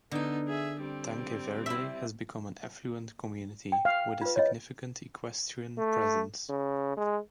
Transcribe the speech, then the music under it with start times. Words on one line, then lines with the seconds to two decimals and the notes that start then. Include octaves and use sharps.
Tanque Verde has become an affluent community, with a significant equestrian presence.
0.11 D3 B3 D#4 G5
0.48 G#4 E5
0.82 G3 C4
1.66 E4 E5
3.72 G5
3.85 F5
4.21 F4 B4
4.36 C#5 D#5
5.78 A3
6.49 C#3
6.97 G#3